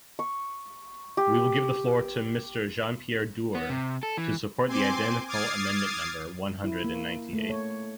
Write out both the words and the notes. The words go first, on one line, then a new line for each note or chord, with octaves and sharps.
We will give the floor to Mr Jean-Pierre Door, to support the identical amendment number one hundred and ninety eight.
C#6
G4
B3
C3
A4
E3
C4 G#5 C6 D6
D6 D#6 F6 G#6 A6 C7
E4
A#3
A3
C#5